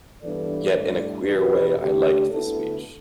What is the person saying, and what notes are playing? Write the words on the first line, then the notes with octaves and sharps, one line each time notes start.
Yet in a queer way I liked the speech.
G2 E3 B3 D4 A4 D5
A2 G3 D4
E2 B2 B3 D4 G4 B4
D2 D3 A3 D4 G4
D2 D3 B3 E4 A4